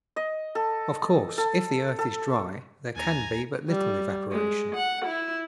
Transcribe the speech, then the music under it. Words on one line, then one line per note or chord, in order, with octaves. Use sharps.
Of course, if the earth is dry there can be but little evaporation.
D#5
A4
A4
A4
D#2 G#5 A#5 A6 A#6
G3
G#3
F#5
E4